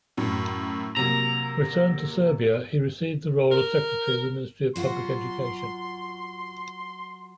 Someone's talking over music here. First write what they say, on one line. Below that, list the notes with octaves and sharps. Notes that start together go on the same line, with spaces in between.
Returned to Serbia, he received the role of secretary of the Ministry of Public Education.
F#2 A2 F#3
C3 F#3 A#3 A#5
A#4
F#3 F4 F#4 C6